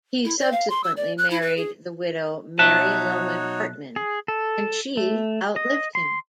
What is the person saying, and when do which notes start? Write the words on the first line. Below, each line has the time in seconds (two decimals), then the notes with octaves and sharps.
He subsequently married the widow Mary Loman Hartman, and she outlived him.
0.25 E4
0.39 D5
0.52 F5
0.70 C6
0.84 E6
0.97 D5
1.18 F#6
1.30 E4
1.42 B4
1.57 G#4
2.59 B1 D#4 F#4 C#5 E5 A5 F#6
3.96 G#4
4.28 A4
4.97 A3
5.56 D#5
5.95 C6